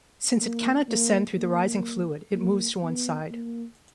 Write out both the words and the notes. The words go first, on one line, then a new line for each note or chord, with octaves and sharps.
Since it cannot descend through the rising fluid, it moves to one side.
A#3
A#3
A#3
A#3
B3
A#3